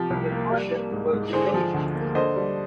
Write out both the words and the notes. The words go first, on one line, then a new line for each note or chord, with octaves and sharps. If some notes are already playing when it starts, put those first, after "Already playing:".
The project was delayed.
Already playing: C3 F3 G4
C2
A#3
G3
A#3
G#2
G#2
D3 G#4 C5
F3
D2
A#3
D3 C5 D#5
G3